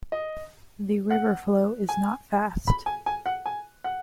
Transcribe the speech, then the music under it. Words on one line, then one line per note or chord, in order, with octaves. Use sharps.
The river flow is not fast.
D#5
F#5
G#5
B5
G#5
G#5
F#5
G#5
F#5